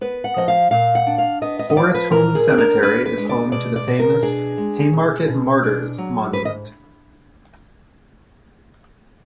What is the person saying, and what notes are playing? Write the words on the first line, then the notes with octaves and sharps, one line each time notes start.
Forest Home Cemetery is home to the famous "Haymarket Martyrs' Monument".
B3 B4
F#5
F3 D#5
F5
A#2 F5
F#5
D4
F5
B3 D#5
D#5
D#5
F3 D5
B4
A#2 A#4
G#4
D4
A#4
D4 B4
B4
G#3
D5
B2 D5
D5
B2
A#4
D4 G#4
G#3
B2
B2
D4
F#3
G#2 B4
D#5